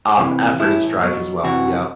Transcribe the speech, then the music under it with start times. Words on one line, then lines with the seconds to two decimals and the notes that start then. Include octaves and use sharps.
um, effort and strife as well. Yep.
0.19 C3 E3
0.60 A2 E3 E4
1.02 B2 F#3
1.44 C3 E3 F#4